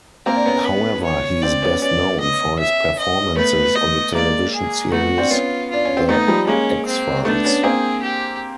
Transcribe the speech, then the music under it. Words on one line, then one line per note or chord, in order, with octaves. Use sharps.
However, he is best known for his performances on the television series "The X-Files".
A#3 C4 A#4
D4
B3 C#4
B4
C#5
C4 D4 D5
B3 C#4
B3 C#4 D5
D#5
E5
D#5
A3 B3 B4
D#5
G#3 A#3 D5
G#4
A3 B3 F#4
C4 D4
B3 C#4 F4
D4 F4
C#4
C4
A3 B3 D#4
F3 G3
G#3 A#3 C#4
C4
A3 B3 D4
B3 C#4
A#3 C4 G#4
G4